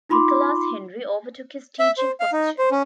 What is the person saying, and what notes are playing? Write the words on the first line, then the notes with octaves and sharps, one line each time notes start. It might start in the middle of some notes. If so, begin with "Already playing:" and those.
Nicolas-Henri overtook his teaching position.
D#4 F4 B5 C6 D6
E5
C5
F5
D#4
C5
C#4